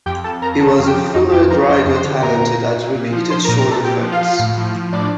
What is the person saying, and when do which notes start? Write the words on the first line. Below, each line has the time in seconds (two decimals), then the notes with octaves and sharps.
He was a fluid rider talented at repeated short efforts.
0.06 F2 G4 G5
0.24 F2 A4 A5
0.42 F2 A#4 A#5
0.54 A#5
0.60 D3 A4 A5
0.78 F2 F5
0.86 G4 G5
0.95 F3
1.14 F2 D#4 D#5
1.32 F2 G4 G5
1.50 F3 A#4 A#5
1.69 F3 C5 C6
1.86 F2
1.96 C5 C6
2.04 D3
2.22 A#2 A#4 A#5
2.41 A#2
2.58 A#2
2.76 A#2
2.95 A#2
3.13 F3
3.30 F3 C5 C6
3.45 A#4 A#5
3.48 A#2
3.58 A#4 A#5
3.67 A#2 A4 A5
3.84 A#2 G4 G5
4.02 F3
4.12 F4 F5
4.21 F3
4.39 A2
4.58 F3
4.75 F3
4.93 A2 D4 D5